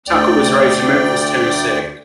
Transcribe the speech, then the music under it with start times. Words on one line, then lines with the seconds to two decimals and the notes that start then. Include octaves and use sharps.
Tucker was raised in Memphis, Tennessee.
0.08 D2 D5 G5